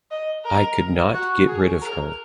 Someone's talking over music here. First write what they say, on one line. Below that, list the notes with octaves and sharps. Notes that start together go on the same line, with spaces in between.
I could not get rid of her.
D#5
A#4
F#4
G#4
A#4